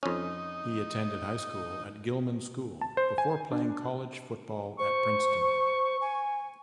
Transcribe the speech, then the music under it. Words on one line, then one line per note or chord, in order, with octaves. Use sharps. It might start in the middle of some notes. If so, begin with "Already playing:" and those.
He attended high school at Gilman School before playing college football at Princeton.
F2 C#4 D#4
A5
C5
G#5
D4
C5 C#6
G#5